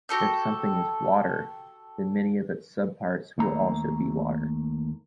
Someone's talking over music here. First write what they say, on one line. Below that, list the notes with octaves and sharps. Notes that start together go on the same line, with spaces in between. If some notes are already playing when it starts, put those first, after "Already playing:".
If something is "water", then many of its subparts will also be "water".
F#4 G4 A4 G6
D#2 A3 A#5